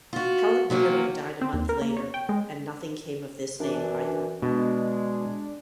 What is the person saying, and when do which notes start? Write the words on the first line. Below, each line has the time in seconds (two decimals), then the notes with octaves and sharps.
Caliguiri died a month later, and nothing came of this name, either.
0.13 F4 F#4
0.70 C3 F#3 A#3 C#4
1.41 C4
1.53 D#2
1.69 A#4
1.82 A#3
1.97 C#5
2.14 G5
2.29 G#3
3.60 F#2 E3 D4
4.42 B2 G#3 D4